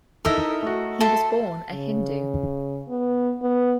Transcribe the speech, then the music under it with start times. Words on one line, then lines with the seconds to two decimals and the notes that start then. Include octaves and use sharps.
He was born a Hindu.
0.25 D#4 E4 A4 A#4 D#5 E5
0.63 A3 F#4
1.01 A4 E5 C6
1.71 C#3
2.89 B3
3.42 B3